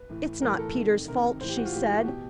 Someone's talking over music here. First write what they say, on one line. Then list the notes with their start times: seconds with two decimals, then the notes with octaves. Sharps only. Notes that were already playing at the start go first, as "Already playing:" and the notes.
"It's not Peter's fault," she said.
Already playing: B4
0.10 A2 E3
0.42 A2 E3 A#4
0.59 A4
0.75 C3 D#3
1.08 C3 D#3 A#4
1.41 A2 E3 C5
1.49 G4
1.57 F#4
1.65 F4
1.74 A2 E3 G4
1.90 F#4
2.05 B2 G4